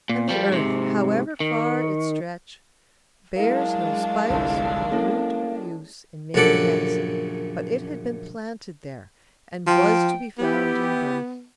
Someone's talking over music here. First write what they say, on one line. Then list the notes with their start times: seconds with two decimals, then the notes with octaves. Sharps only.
And the earth, however far it stretch, bears no spice or root of use in making medicine, but it had been planted there, and was to be found in abundance.
0.09 A#2
0.29 F3 G3
0.49 G#2 C3
1.40 D#3
3.36 F#3 G#3 D4 E4 A#4 F5
4.30 G1 C2
4.92 A#3 C#4 E4 A4
6.34 A#1 F#2 C#3 A4 F#5 D6
9.67 F3 G5
10.38 B3 E4 G4